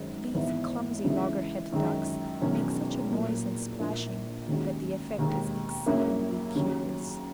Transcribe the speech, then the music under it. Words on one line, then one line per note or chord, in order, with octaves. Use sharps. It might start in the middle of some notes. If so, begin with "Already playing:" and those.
These clumsy, loggerheaded ducks make such a noise and splashing, that the effect is exceedingly curious.
Already playing: G#1 F#2 D#3 G#3 D#4
G#1 G#2 E3 B3
C#2 C#3 E3 G#3
F#2 D#3 G#3
E1 E2 D#3 F#3 C#4
A#2 F#3 A#3 E4
A#1 A#2 A#3 E4
D#2 D#3 G#3 C#4 F#4
E1 D#2 D#3 G#3
F#2 C#3 F#3 A#3 E4
D#2 C#3 F#3